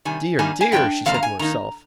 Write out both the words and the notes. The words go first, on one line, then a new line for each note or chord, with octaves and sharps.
'Dear, dear!' she said to herself.
C3 D#3 G3 G#5
D#3 G3 A#3 D#4 G#5
G#5
G2 F3 A#3 D4 G5
F2 D3 F3 A#3 F5
A#5
G#5
D#3 A#3 D#4 A#5